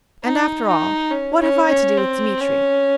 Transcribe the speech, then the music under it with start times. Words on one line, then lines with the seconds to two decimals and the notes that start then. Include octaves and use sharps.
And after all, what have I to do with Dmitri?
0.24 D#4
0.67 D#4
1.10 C#4
1.40 C#4
1.68 C#4
1.97 C4
2.41 C#4